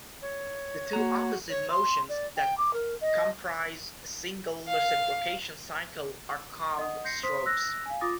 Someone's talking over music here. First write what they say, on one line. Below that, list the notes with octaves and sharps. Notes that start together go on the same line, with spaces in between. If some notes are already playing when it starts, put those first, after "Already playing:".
The two opposite motions that comprise a single reciprocation cycle are called strokes.
C#5
A#3 F#4 A#5
C#5
C6
D5
G5
D6
A#4
D#5
F5
D#5 F#5 D#6
C6 G6 A#6 C7 C#7
C5 C6 D#6 B6
E6 F#6 A#6
F5 G#5
F4 D6 D#6 A6 A#6